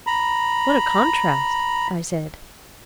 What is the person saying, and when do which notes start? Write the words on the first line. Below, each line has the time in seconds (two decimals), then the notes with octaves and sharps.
"What a contrast!" I said.
0.07 A#5 B5